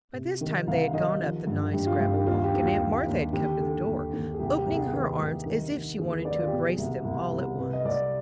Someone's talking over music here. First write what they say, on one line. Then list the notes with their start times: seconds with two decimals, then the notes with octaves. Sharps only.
By this time they had gone up the nice gravel walk, and aunt Martha had come to the door, opening her arms as if she wanted to embrace them all at once.
0.13 C3
0.41 D#3
0.67 C2 F5
0.93 D#3 D#5
1.20 F3
1.47 G2
1.73 G2 G4
1.87 F4
2.00 G2 G4
2.16 G4
2.26 D#2 F4
2.44 G4
2.54 D#2
2.62 F4
2.79 D#2
3.06 D#2
3.33 D#2 G4
3.60 D3
3.86 D#2
4.13 D#2
4.34 G#4
4.39 C2 G4
4.57 G4
4.66 C2
4.74 G#4
4.93 D#3 B4
5.19 C2
5.46 D#3
5.72 D#3
5.98 D#2 G#4
6.12 B4
6.25 D#3 D5
6.39 F4
6.47 G4
6.52 B2 G#4
6.78 C2
7.05 C2
7.32 C2
7.58 C3 B4
7.73 D#5
7.85 C2 D5